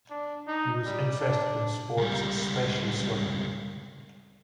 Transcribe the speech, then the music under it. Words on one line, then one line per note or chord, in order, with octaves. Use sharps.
He was interested in sports, especially swimming.
D4
D#4
G3
D4
C#2 G3